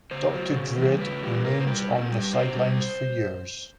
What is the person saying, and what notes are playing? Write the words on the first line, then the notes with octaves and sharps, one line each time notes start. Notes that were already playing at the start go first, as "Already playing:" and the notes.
Doctor Druid remained on the sidelines for years.
C#3 C5
F#3
C#3
E3 G3
C#3 B4
E3 G3
A#2 A#4
C5
G3 B4
A#2
G3
B2 C5
G3